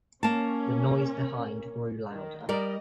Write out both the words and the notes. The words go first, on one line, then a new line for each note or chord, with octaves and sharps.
The noise behind grew louder.
A#3 C#4 A5
D#3
G3 A#4 D5 D#5